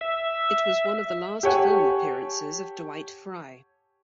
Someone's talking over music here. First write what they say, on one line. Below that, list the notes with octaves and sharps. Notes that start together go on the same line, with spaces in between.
It was one of the last film appearances of Dwight Frye.
E5
G4 A4 C#5 F#5 G#5